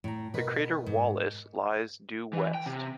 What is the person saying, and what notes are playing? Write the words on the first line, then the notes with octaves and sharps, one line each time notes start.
The crater Wallace lies due west.
A2 A#5
B2 D#3 B4
G#2
E3
G5
C3